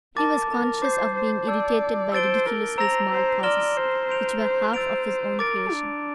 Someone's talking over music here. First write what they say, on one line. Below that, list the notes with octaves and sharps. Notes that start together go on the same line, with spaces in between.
He was conscious of being irritated by ridiculously small causes, which were half of his own creation.
A#4 A5 D6 A6
A#4
C5 D6 G6 C7
C5
D5 A5 E6 G6
C5 E6 A6 D7 G7
A#4
C5 A#5 E6 A#6 F7
C5
D5 C6 F6 A#6 E7 G7
C5
G6 D7 F7
C5
C5 E6 A6 D7 F7
A#4 D6 A6 D7
D4